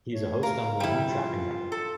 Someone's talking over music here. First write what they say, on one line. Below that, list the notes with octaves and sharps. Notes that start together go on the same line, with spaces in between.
He is a host on the Home Shopping Network.
A3 C#5
A#4 F5
D3 F3 G3 E4
F4
A4 E6